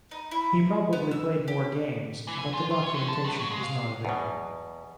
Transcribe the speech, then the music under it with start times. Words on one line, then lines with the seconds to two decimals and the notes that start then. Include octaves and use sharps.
He probably played more games but the documentation is not available.
0.11 D#4
0.31 E4
0.93 B3
1.11 E6
1.48 G4
2.27 E3
2.39 G#5
2.54 F4
2.71 F4
2.83 C#5
2.95 D3
3.08 A5
3.24 G2
3.39 F#3
3.51 G#3
3.63 F5
4.05 E2 B2